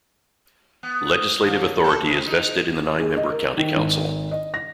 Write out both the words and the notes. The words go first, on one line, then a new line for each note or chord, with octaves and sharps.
Legislative authority is vested in the nine-member county council.
B3
D#2
A4
C3
D#4
G#4
D#5
A#4
D#3
G#1
D#5
A#6